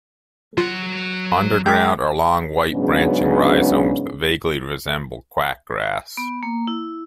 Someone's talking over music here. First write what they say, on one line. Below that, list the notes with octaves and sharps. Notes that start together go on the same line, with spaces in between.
Underground are long white branching rhizomes that vaguely resemble quackgrass.
F#3 F4 F#5
G#3 G5 A#5 D6 G6 B6
G#2 C#3 F#3 B3 C#4 D4
B3
A#3
E4